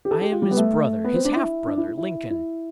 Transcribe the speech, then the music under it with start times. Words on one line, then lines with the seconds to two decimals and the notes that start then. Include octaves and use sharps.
I am his brother--his half-brother, Lincoln.
0.05 G4
0.11 A4
0.21 G4
0.32 F4
0.42 G3
0.51 B3
0.57 A3
1.04 B3
1.14 C4
1.25 D4
1.36 E4
1.67 D4
1.77 E4
1.88 E4
1.98 E4
2.30 E4